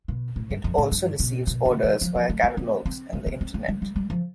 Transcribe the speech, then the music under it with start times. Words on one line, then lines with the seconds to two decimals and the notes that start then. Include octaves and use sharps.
It also receives orders via catalogs and the Internet.
0.08 B2
0.36 A2
0.50 G2
0.64 F2
0.78 A2
0.92 G2
1.20 B2
1.47 B2
1.65 D3
1.83 E3
2.01 F3
2.15 F3
2.30 A3
2.43 B3
2.57 C4
2.86 C4
3.13 C4
3.26 B3
3.41 C4
3.54 B3
3.68 G3
3.82 G3
3.96 G3
4.10 F3